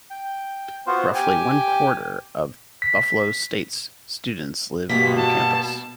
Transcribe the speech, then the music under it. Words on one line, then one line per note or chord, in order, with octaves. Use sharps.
Roughly one-quarter of Buffalo State's students live on campus.
G5
B3 F4 F#4 C5
G4 G5 G#5
B6
G2 B2 A#3 B6
A5